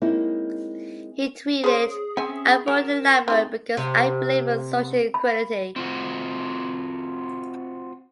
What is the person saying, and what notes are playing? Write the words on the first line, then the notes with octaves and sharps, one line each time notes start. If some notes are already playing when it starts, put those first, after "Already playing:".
He tweeted: I'm voting Labour because I believe in social equality.
G#3 A#3 C4 C#4 D#4 E4
C#4 G#4 C5
C4 C#4 E5 G#5 E6
F#3 A#4 A5
C4 D#4 G#4
C3
B5
C4 F4 F#4